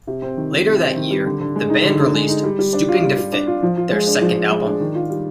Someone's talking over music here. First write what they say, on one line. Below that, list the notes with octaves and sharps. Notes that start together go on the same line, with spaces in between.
Later that year, the band released "Stooping to Fit", their second album.
C3
C4
D#3
G3
C3
C4
D#3
G3
D3
D3
G#3
D#4
D3
D3
G#3
D#4
G3
G3
D4
F4
G3
G3
D4
F4
F3
F4
G#3
D4
F3
F4
G#3
D4
D#3
F4
G3